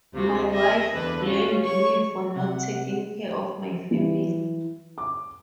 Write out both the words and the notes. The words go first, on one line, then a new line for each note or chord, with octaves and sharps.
My wife blamed me for not taking care of my family.
D2 C3 F4 F#4
D#5 E5
E2 D3 B4
C#4 F4 F#4
C#5 C#6
C3 F#5
E3
D6